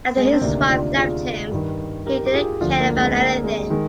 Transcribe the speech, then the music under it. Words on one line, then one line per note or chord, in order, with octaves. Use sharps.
After his wife left him, he didn't care about anything.
G#3
A#3
C4
D2 C3 D#3 A#3 D4
D4 F4
F4 G#4
G2 D#3
G4 A#4
G4
F4 G#4
D2 D3 F3 D4 F4
A#3 D4
G#3 C4
A#3
G#3
D#3 G#3